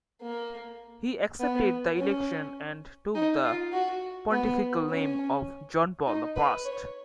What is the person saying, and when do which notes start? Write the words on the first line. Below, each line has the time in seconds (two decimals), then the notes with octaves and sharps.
He accepted the election and took the pontifical name of "John Paul the First".
0.22 A#3
1.40 B3
1.98 C#4
3.15 D#4
3.44 F4
3.73 F#4
4.32 B3
4.91 C#4
6.07 D#4
6.36 B4
6.65 C#5